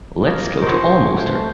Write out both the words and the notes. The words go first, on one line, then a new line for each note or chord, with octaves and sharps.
Let's go to Almoster.
A#3 D#5
B2 C#4 F4 A#4 C5 C#6
A3 C5